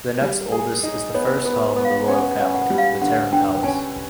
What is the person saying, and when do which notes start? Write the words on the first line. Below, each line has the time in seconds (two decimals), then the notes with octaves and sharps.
The next oldest is the first home of the royal family, the Terem Palace.
0.21 G3 B4
0.52 G#4
0.83 D#4
1.14 B3 C#5
1.37 C5
1.45 B3
1.61 B4
1.76 B3
1.85 F5
2.08 C#4 F#5
2.31 F#5
2.39 C#4
2.55 F#5
2.70 G3
2.78 F5
3.02 D3 F#5
3.33 D3 G5
3.63 C#4 G#5